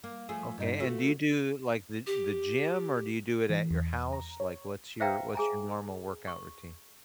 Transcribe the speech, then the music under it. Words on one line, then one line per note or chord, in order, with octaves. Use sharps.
okay, and do you do, like, the the gym, or do you do it at your house? Like, what's your what's your normal workout routine?
A#3
F3 A3 G#4
G2 D#4
A3 F4 F#4
G4
E3
E2
A#5
C#5
B4 C5 E5 F5 G5 A#5
G#4 G#5 A#5
C#6